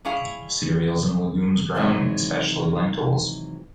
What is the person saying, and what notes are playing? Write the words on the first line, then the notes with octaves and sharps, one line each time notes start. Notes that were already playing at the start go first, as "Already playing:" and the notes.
Cereals and legumes grown, especially lentils.
G3 C#4 E4 G#4 F5
C3 D#3 E3 F#3 G#3